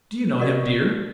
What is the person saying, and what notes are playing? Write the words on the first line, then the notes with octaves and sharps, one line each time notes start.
"Do you know him, dear?"
F#4 G4 A#4 D5 D#5